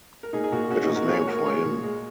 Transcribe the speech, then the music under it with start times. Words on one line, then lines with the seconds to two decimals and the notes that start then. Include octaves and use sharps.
It is named for him.
0.23 A#4
0.33 A#2 D#4 G#4
0.44 G#4
0.52 A#2 F#4 A#4
0.70 G#3 C#4 F#4
0.84 D#4
0.90 A#2
0.95 F#4 A#4
1.08 A#3 G#4 C#5
1.21 C#5
1.27 A#3 F#4 A#4
1.46 A#3 G#4 C#5
1.65 A#2
1.84 G#3